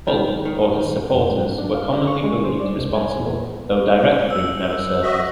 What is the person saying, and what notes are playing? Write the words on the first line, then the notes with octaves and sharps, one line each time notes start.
Fulk, or his supporters, were commonly believed responsible, though direct proof never surfaced.
D#3
D#3
F2
G#2
D4
F5
D5
C#6
G#3
C5
D5
C2
G#5
A#2
E6
F#4 D#5 E5